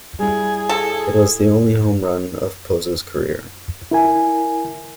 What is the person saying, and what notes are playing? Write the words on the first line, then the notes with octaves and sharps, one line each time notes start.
It was the only home run of Pozo's career.
G3 E4 G#4
A4
E4 A#4 G#5